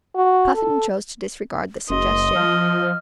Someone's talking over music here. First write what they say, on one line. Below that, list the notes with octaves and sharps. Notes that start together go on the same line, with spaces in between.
Puffin chose to disregard this suggestion.
F#4
A4
F#1 D#5 C6
F3 F6